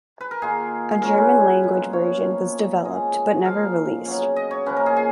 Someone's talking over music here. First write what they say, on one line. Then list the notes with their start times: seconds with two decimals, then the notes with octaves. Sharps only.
A German language version was developed, but never released.
0.21 B4
0.31 A#4
0.42 D#3 A#3 F4 G#4
0.91 G#4
1.02 F#3 C#4 F4 A#4
1.18 B4
1.63 B2 A#3 F4
1.93 C#5
2.24 F3 A#3 D#4
2.84 C#3 G#3 C#4 D#5
3.45 F3 A#3 F4 F5
4.05 C#3 F#3 B3
4.36 D#5
4.51 C#5
4.66 A#2 F3 A#3 C#4 B4
4.76 A#4
4.86 G#4
4.96 G#4